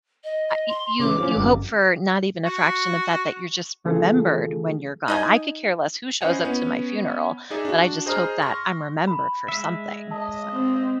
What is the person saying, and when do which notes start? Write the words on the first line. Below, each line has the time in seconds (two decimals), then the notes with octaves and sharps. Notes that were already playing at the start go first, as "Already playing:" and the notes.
uh, y you, you hope for not even a fraction of that, that you're just remembered when you're gone. I could care less who shows up to my funeral, but I just hope that I'm remembered for something, so.
0.24 D#5
0.48 D#5
0.68 C6
1.00 C#3 E3 D6
1.20 F3 C#4
1.36 G1 F#2
2.45 F#4
3.85 C#3 E3 A3 F4 G#4 A4
5.08 D#4 D#5 G#5
6.21 C#4 E4 C5 D#5 F#5 G#5
6.44 B3 C#4
7.50 D#4 G#4 D5 E5
7.65 D4 F#4
8.06 G#4 C5 D#5 A#5 D#6 F6
8.42 C6 C#6 A#6
9.07 B5
9.48 G#3 E5
10.11 D#5 A5
10.53 C4